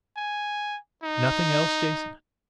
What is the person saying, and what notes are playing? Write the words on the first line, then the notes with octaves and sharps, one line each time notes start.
"Nothing else, Jason?"
G#5
D#4